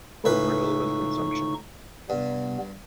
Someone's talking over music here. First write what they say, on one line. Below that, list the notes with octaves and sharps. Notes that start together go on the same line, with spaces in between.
Both were ill with consumption.
C#2 A2 D#4 B4 C#6
G2 C3 G3 B3